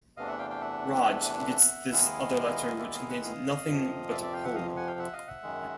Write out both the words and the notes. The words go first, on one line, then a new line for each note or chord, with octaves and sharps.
Raj gets this other letter which contains nothing but a poem.
E2 C3 E3 A3 D4 D#5 F5
E5 F#5
F5 G5
F5 G5
E5 F#5
D#2 D#3 G#3 B3 E4 D#5 F5
D5 E5
D#5 F5
E5 F#5
D#5 F5
F2 C3 F3
D5 E5
D5 E5
F5 G5
E5 F#5
D#5 F5
F#5 G#5
F5 G5
E5 F#5
D#5 F5
E5 F#5
F#2 D#3 G#3